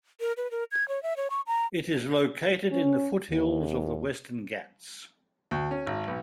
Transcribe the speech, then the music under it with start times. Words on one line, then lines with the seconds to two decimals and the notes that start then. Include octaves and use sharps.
It is located in the foothills of the Western Ghats.
0.20 A#4
0.37 B4
0.51 A#4
0.72 G#6
0.88 C#5
1.03 E5
1.17 C#5
1.30 C#6
1.47 A#5
2.71 C#4
3.30 D#2
5.51 D2
5.71 C#4
5.87 G#1
6.08 B1